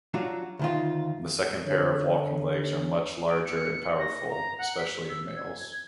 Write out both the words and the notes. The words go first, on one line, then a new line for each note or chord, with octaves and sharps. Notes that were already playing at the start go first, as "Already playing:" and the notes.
The second pair of walking legs are much larger and powerful, especially in males.
F#3 D4 F4 F#4
D2 D#3 F4
D3 C#5
D7
C#7
A#6
A#5
F#5
B6
E6
G#6